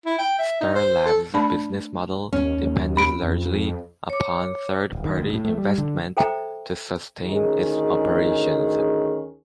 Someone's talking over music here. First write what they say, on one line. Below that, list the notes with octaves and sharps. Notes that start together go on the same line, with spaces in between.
Starlab's business model depended largely upon third-party investment to sustain its operations.
E4
G5
E5
D#4
C5
A4
A3 D4 D5 A5 B5
D#2 C#4
D#2
B5 D7
F2
C#5 D6
D1
D#3
D2
A2
A3
G3
D3
A4 C5 E5 G5 A#5 D6
D2 D#3 C#4 D#4 G#4